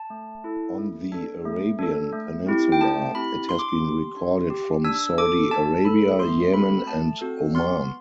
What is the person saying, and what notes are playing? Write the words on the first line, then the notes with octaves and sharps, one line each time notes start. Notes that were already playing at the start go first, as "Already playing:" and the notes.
On the Arabian Peninsula it has been recorded from Saudi Arabia, Yemen, and Oman.
Already playing: A5
A3
E4 A4
A3
D4 A4
A3
D4 A4
A3
C4 E4 G4
G5
A3 A5
C4 E4 G4 B5
D4 C6
D6
C6
G4
D4
G4
D4 E6
A4 D6
D4 A5
A4 B5
A3 C6
C4 F#4 A4 B5
A3 A5
C4 F#4 A4
B3 C6